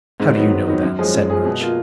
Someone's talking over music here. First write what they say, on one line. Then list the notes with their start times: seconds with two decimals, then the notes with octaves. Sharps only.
"How do you know that?" said Much.
0.20 G#2
0.36 D#3 F#3 B3
0.52 G#2
0.67 D#3 F#3 B3
0.83 F#2
0.99 F3 G#3 C#4 G#4
1.14 F#2
1.30 F3 G#3 C#4 G#4
1.45 B2
1.61 A#3 F4